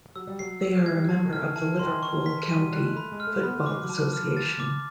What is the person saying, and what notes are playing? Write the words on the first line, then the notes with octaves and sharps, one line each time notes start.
They are a member of the Liverpool County Football Association.
F#3 E6
G3
F#3 C7
F#3 E6
G#3
G#6
G3
F3 A5
D#3
F6
D3
E3 A5
D#3 C6
E3
D#3
C#6
B6
E3 D#7
G3
F#3
G3 F#6
G#3
A3 B5
G#3
F6
A3
B3 B5
A3
G#3 D6
F#3
A5
F6
A6
D6